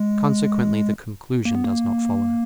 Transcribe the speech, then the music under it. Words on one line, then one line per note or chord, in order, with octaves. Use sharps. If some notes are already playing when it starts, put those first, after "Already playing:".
Consequently the conclusion does not follow.
Already playing: G#3
A#3
B3
A#3